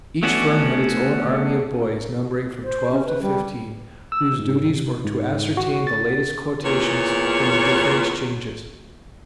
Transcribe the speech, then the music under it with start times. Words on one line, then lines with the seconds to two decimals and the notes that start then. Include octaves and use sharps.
Each firm had its own army of boys, numbering from twelve to fifteen, whose duties were to ascertain the latest quotations from the different exchanges.
0.23 A3 B3 C#4 D4 F#4
2.64 C5
2.92 C#4
3.06 B4
3.22 G3
4.12 E6
4.39 G#2
4.70 C3
5.04 G#2
5.57 F#4
5.87 A6
6.63 E2 A#2 C#5